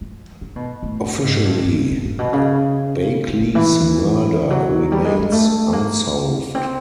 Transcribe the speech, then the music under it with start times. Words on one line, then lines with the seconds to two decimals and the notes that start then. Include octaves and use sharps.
Officially, Bakley's murder remains unsolved.
0.01 F3
0.41 D#3
0.56 B2
0.83 A2
1.24 G#2
1.44 G2
1.64 G2
1.91 G#2
2.05 A#2
2.19 B2
2.33 C#3
3.28 C#3
3.41 D3
3.55 E3
4.50 F#3
4.92 G3
5.05 G#3
5.19 G#3
5.32 A3
5.73 A#3
6.55 C4